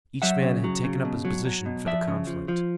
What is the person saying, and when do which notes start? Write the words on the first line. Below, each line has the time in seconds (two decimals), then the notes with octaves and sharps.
Each man had taken up his position for the conflict.
0.22 F#3 E5 F#5
0.42 C#3
0.64 F#3
0.84 C#3
1.05 B2
1.25 F#3
1.45 F#3
1.66 B2
1.86 F3 D5 E5
2.08 C#3
2.27 F3
2.48 F3